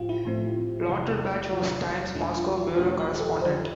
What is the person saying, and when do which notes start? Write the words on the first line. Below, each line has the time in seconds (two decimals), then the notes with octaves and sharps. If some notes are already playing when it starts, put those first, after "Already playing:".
Lauterbach was "Time's" Moscow bureau correspondent.
Already playing: A2 F3 C4 F4 G4
0.09 E4
0.25 A2 F3 A3 C4
0.89 E2 C3 F3 E4
1.52 E2 C3 F3 F4
2.15 E2 B2 A3 D4 E4
2.36 F4
2.57 F4
2.78 E2 B2 A3 D4 G4
3.00 G4
3.14 G4
3.20 A4
3.41 F2 D3 F3 C5